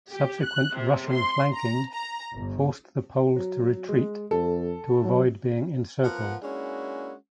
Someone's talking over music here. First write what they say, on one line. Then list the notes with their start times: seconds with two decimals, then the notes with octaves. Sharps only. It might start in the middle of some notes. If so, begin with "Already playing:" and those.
Subsequent Russian flanking forced the Poles to retreat to avoid being encircled.
0.12 G4
0.45 F#6
0.76 C3
1.12 C6
1.53 A#5
1.92 A#5
2.35 G1
3.36 F#3
3.89 G#3
4.31 F2 A4
5.05 F#3
6.04 F3 B3 A#4 F#5
6.42 G#3 A#3 C#4 D4 E4 F#4